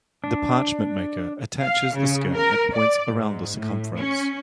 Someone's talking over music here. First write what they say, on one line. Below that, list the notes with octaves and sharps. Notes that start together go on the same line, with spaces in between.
The parchment maker attaches the skin at points around the circumference.
D4
F5
C#3
A#4
D5
G#2
A2
C#4